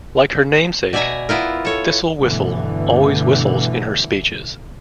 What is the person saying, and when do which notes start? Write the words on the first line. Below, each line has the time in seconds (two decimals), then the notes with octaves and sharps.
Like her namesake, Thistle Whistle always whistles in her speeches.
0.93 B2 D5 E5 G#5 A#5
1.29 B3 E4 F4 A#4
1.65 A4 C#5
2.19 G2 B2 D3 E3 A3